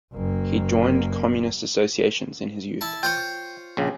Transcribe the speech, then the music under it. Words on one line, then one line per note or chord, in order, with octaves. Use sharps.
He joined communist associations in his youth.
F#1 A#3
E4 A5
F4 C5 C#5 G5
A#1 C#3